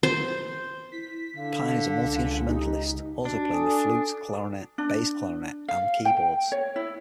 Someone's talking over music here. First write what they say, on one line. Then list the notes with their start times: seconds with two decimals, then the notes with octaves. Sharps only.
Pine is a multi-instrumentalist, also playing the flute, clarinet, bass clarinet and keyboards.
0.03 C5
0.92 E4 B6
1.36 D3 F5
2.02 C#2
2.49 D#4 G4
3.25 D4 F#4
3.52 A4 G#5 D#6
4.78 D4
5.68 F5
6.05 G5
6.52 C#5
6.76 E4